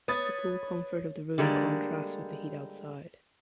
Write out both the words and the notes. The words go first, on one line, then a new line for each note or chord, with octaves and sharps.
The cool comfort of the room contrasts with the heat outside.
B4 C#5 D#6 A6
D3 G3 G#3 A#3